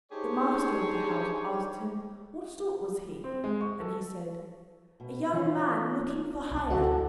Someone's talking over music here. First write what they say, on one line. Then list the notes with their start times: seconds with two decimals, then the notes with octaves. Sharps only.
The master of the house asked him what sort was he, and he said: "A young man looking for hire."
0.12 D4 D#4 G4 G#4 C5 C#5
3.24 C4
3.44 G#3
3.61 C#6
3.81 A4
5.00 B2
5.33 E3 C#4 D#4 F4
6.51 C2
6.70 D2 G#2 E3 F#4 A4 A5